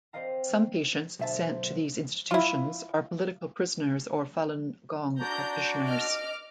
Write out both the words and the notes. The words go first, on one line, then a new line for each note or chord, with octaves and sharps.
Some patients sent to these institutions are political prisoners or Falun Gong practitioners.
C4 C5 D5 D#5 F5 A#5
B1 D3 C5 E5 A5
E4 F4
D4 F#4 D5 A#5 G6
D#5 D6 F6